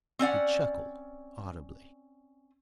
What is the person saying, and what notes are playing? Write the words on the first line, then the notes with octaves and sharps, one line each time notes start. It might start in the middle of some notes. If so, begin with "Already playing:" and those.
He chuckled audibly.
C4 C#4 D5 F#5